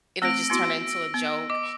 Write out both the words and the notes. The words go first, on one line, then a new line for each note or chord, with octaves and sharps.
it'll just turn into a joke.
A3 C4 E6 A#6 D7
B3 E4 F#4
B3
D#5 D6